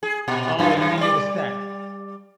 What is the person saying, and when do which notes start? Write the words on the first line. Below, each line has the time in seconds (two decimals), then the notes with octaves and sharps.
Oh, you mean it was set?
0.03 G#4
0.28 A#2
0.59 F#2 A#2 F4
0.77 F#2
0.98 G3 D5